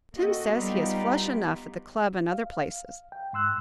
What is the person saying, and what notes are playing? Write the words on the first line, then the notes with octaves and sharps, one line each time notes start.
Tim says he is flush enough at the club and other places.
A#3 C4 F#4 A4 D#5
G3 B3 D#4 F4 G4
F5
G5
G#2 C6 E6 F#6